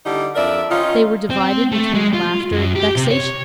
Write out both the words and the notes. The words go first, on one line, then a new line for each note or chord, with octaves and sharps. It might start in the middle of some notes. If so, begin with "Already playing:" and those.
They were divided between laughter and vexation.
D3 G3 D#4 E4 G4
F2 D4 A#4 D5 E5
D#3 C#4 D#4 F4
C4
A3
G#3
F4
F#2
G4
C3
C#5